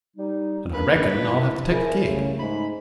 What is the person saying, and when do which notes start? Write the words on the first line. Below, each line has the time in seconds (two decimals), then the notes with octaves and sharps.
And I reckon I'll have to take the kid.
0.17 G3 D#4
0.74 A#3 D4 B4
1.25 E4
1.70 D4 E4 F4 G#4 A#4
2.06 C#3 A3
2.39 G#2 B5